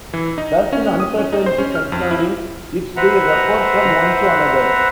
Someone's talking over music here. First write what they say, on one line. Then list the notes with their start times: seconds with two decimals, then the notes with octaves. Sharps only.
Thus in uncertainty concerning it they refer from one to another.
0.13 E3
0.38 D#4
0.73 C#4
1.00 D#6
1.18 C#4
1.33 D#4
1.46 C5
1.58 C#4
1.75 F6
1.92 F2
2.11 E4
2.97 B4 C5 E5 F#5 A#5